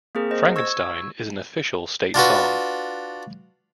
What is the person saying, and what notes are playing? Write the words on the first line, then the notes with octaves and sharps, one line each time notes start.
Frankenstein, is an official state song.
A#3 C4 G#4 A#4
C5 D#5
C#6 E6 G#6
D4 F4 F#4 B4